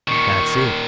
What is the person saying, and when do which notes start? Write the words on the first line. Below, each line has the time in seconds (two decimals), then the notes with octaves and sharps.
Dat's it.
0.08 A#2 D#3 C#6